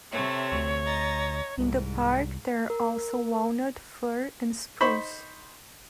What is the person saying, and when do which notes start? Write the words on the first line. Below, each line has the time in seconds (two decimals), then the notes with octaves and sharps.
In the park there are also walnut, fir, and spruce.
0.12 C3 A3 C4 C#5
0.52 D2
0.85 D#5 A#5 A6
1.58 C2 G#2
2.70 A#4
4.80 D#4 C5 B5 C#6